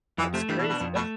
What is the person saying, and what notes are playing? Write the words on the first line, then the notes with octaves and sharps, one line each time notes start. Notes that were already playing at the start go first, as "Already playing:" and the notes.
that's crazy. That
F2 E3
C3 A3
G2 E3
B2
D4
B2
F2 B2
B2 A3